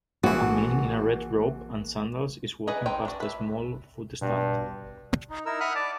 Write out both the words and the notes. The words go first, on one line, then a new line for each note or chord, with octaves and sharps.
A man in a red robe and sandals is walking past a small food stand.
A#1 E3 F#4
E3 G#4 B4 D#5 F#5
C4 D#4 G5
D4 F#4
B4 E5
G2 B2
D#4
D#4 E4 A#4 E6
E5 F#5 B5 D#6 F6 F#6
D5 A5 D6